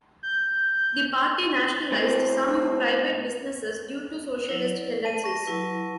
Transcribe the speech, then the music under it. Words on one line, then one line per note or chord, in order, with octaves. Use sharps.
The party nationalized some private businesses due to socialist tendencies.
G6
A2 C4
F#3 E4 C#5
D5
A5 D#7
C#6 A#6
F#3 E4 B4